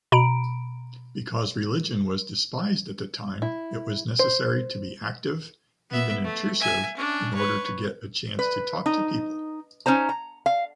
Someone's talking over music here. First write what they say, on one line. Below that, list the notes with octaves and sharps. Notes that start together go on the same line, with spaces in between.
Because religion was despised at the time, it was necessary to be active, even intrusive, in order to get a chance to talk to people.
B2 A#5 B5 D7
E4
C5
B3 E5
A3
E5 G#5
C#4 D4
B4 C#5
B4
D#4
C#4 D#4 C5 A#5
A#5
F5